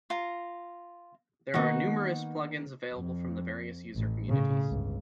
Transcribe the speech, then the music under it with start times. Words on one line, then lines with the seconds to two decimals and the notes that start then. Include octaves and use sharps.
There are numerous plugins available from the various user communities.
0.10 F4 A#5
1.54 D#3 A#3 B3 D#4 F#4
2.94 F2
3.95 A1
4.29 A2 C#3
4.68 G1 C#2